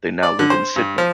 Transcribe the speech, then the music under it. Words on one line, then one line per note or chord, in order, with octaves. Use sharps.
They now live in Sydney.
D5
D3
C5
G2
F3